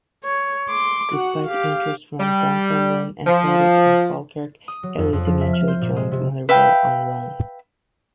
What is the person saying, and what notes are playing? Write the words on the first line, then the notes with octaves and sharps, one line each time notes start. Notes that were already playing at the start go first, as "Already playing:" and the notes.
Despite interest from Dunfermline Athletic and Falkirk, Elliot eventually joined Motherwell on loan.
C#5
C6 D6
F#4 F#5
G4 F5
G3
F3
D#6
F#3
F2
F2
F3
E5
F6
C5
A#2
G#3
C3
B4 E5 F5 G5